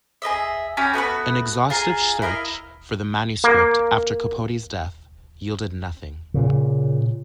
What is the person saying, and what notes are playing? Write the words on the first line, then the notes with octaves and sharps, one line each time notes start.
An exhaustive search for the manuscript after Capote's death yielded nothing.
G#4 B4 D#5 E5
C#4 F#4 G4 B5
A3 B3 F#4 B4
F4 G#4 G#5 A#5
E4 A#4 D#5 F5
A#3
A#2 C#3